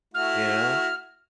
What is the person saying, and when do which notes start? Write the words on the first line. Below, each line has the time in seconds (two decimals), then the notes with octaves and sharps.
you know?
0.14 A3 E4 F#4 F6